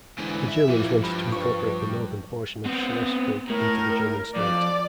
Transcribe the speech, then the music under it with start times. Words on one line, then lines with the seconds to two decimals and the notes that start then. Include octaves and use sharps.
The Germans wanted to incorporate the northern portion of Schleswig into the German state.
0.19 G#2 D3 E3
0.48 E5
0.68 A#2 E3 F3
1.04 G2 B5
1.32 F3 B4 C#6
2.65 B3 C4
3.49 A2 A#4
4.36 F2 D5